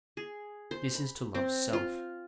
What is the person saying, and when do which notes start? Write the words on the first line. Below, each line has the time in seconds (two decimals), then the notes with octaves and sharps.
This is to love self.
0.17 G#4
0.71 C5
0.95 B5
1.35 C4
1.73 F4